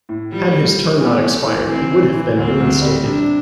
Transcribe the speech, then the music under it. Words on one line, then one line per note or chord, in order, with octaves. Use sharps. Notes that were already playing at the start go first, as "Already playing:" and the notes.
Had his term not expired, he would have been reinstated.
A2
F3 G3
F3
F3
E3 B3
A3
E3
E3 C4
E3
E3
D2 C4
D2
G3
C3 D4